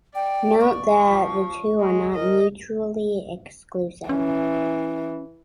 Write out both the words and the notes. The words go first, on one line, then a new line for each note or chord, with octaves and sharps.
Note that the two are not mutually exclusive.
D5 G5
C#6
F3
G#3
A#4 D#5
E3 C#4